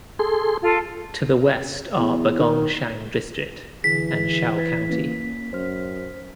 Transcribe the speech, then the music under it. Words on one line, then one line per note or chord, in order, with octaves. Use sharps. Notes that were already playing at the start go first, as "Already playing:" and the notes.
To the west are Bagongshan District and Shou County.
G#4 A4 C6
F4 A4
E2
D#3
C#2 D3 E3 G#4 B6
B4 G#6 A6
A#3 C#4
F#2 C5 F6